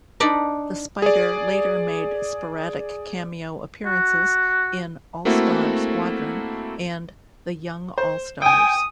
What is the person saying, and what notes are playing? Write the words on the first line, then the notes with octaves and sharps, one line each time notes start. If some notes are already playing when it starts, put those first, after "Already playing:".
The Spider later made sporadic cameo appearances in "All-Star Squadron" and "The Young All-Stars".
D4 D#4 D5 B5
G#4 D5
F#4
A3 A#3 C4 E4 F#4 A4
C5
G5 G#5 D#6